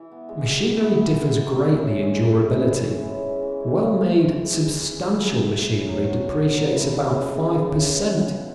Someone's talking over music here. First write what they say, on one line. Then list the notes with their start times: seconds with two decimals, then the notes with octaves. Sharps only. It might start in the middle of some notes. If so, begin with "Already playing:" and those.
Machinery differs greatly in durability; well-made, substantial machinery depreciates about five per cent.
Already playing: E3
0.12 B3
0.29 G#3
0.46 E3
0.64 E3
0.82 B3
0.98 G#3
1.16 G#3
1.34 G#3
1.51 E4
1.68 C#4
1.86 G#3
2.03 G#3
2.21 E4
2.38 C#4
2.55 E3
2.73 E3
2.90 C#4
3.08 G#3
3.25 E3
3.43 E3
3.60 C#4
3.77 G#3
3.95 G#3
4.12 G#3
4.30 G#4
4.48 E4
4.65 G#3
4.82 G#3
5.00 G#4
5.18 E4
5.35 F#4
5.52 B2
5.69 C#4
5.87 F#3
6.04 F#4
6.22 B2
6.40 C#4
6.56 F#3
6.74 E4
6.92 C#3
7.08 C#4
7.26 G#3
7.44 E4
7.62 C#3
7.79 C#4
7.97 G#3
8.13 F#4
8.31 B2